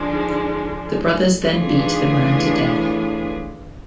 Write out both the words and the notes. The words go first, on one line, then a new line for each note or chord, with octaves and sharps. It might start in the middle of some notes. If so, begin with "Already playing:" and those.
The brothers then beat the man to death.
Already playing: D3 F3 G#3 D4
G#2
A2
A2 E3 B3 D4 F4 G#4
F2
G#2
A2